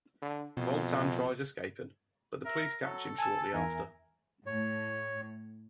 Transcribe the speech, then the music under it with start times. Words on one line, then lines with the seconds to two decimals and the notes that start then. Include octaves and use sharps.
Voltan tries escaping, but the police catch him shortly after.
0.22 D3
0.57 F2 B2
2.45 A#4 E5
2.82 F#3 A4
3.18 G#5 A5 E6
3.54 E2 A#4 E5 G#5
4.46 A2 C#5